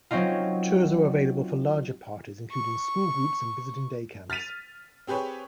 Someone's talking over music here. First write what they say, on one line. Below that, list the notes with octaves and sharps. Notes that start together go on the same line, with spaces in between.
Tours are available for larger parties including school groups and visiting day camps.
F#3 C4 C#4 D#4 F4
C#6
F6 A6 B6 D#7 F7
C4 G4 G#4 B4 C#5